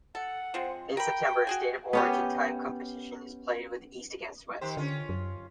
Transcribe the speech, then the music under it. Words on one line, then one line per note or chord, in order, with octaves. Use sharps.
In September a State of Origin type competition is played with East against West.
A4 F#5
F3 G#3 C4
A#4 G5 B5
F#4 G#4 G#5
B3 C#4 G4
D#3 G4 C5
D3 C#4 F4
F#2